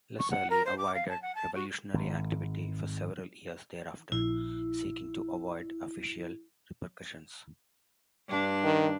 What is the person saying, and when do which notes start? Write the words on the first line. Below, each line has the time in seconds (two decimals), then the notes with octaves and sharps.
Lassalle avoided revolutionary activity for several years thereafter, seeking to avoid official repercussions.
0.19 C#6
0.31 F#5
0.50 A#4
0.66 C5
0.78 D6
0.95 F5
1.09 A5
1.22 F#5
1.35 A5
1.55 F#4
1.94 G#1
4.12 A#1 E4
8.28 G2 D4
8.64 D#3